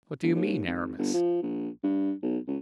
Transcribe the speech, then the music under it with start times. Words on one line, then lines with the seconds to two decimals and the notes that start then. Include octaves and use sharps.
"What do you mean, Aramis?"
0.23 G1
0.35 D#2
0.67 G#1
0.98 G1
1.13 F3
1.42 A#1
1.83 G2
2.23 B1
2.47 C#2